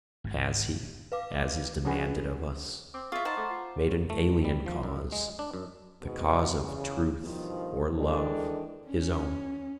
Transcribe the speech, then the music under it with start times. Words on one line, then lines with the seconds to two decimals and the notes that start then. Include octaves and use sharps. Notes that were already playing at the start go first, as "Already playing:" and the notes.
Has he, as is demanded of us, made an alien cause, the cause of truth or love, his own?
0.24 G#1 G#2
1.12 B4 F5 D6
1.85 C#3 F3 D4 F#4 G#4 B4
2.94 C4 D6
3.12 F4 G#4 E5 C#6 F6 A6
3.25 D#4 C5 F#5 A5 A#5 C6
3.37 A3 D6
3.51 F4
3.87 C#4
4.10 A3
4.45 G3
4.66 F3
4.83 F#2
5.12 G#3
5.39 D4
5.54 F#2
6.02 G#2 B2
6.60 E2 C#3
7.23 G2 B2 D#3 F3
7.97 D#3 E3 G#3 D4 A4
8.88 C#4